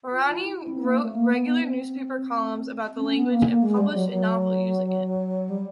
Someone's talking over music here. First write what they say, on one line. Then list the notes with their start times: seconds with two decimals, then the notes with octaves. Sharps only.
Marani wrote regular newspaper columns about the language and published a novel using it.
0.11 F4
0.32 E4
0.52 E4
0.68 C4
0.84 A#3
0.99 A3
1.14 A#3
1.30 B3
1.46 B3
1.61 C4
2.96 C4
3.01 C#4
3.16 B3
3.31 A#3
3.48 A#3
3.63 G#3
3.78 G3
3.94 F#3
4.09 F#3
5.49 G3